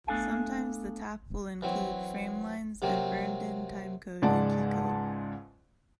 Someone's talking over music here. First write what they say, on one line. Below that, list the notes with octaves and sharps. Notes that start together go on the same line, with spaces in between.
Sometimes the tap will include frame lines and burned in timecode and keykode.
A3 B3 D4 A4 F5 G#5
E3 F#3 C4
C3 F#3 A#3 C4
C#2 G#2 G#3 D5 F#5 A5